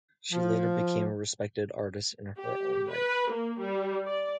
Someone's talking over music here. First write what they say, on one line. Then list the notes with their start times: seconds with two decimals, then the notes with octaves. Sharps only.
She later became a respected artist in her own right.
0.32 F3
2.38 G4
2.92 B4
3.30 A#3
3.59 G3
4.06 D5